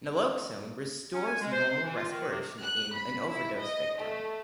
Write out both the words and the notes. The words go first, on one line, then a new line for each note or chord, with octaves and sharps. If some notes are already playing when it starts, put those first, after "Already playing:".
Naloxone restores normal respiration in an overdose victim.
C#4
G#5
G#3
C5
C5
E3
F4
D#3
C3
F#6
B5
E4
D#5
A3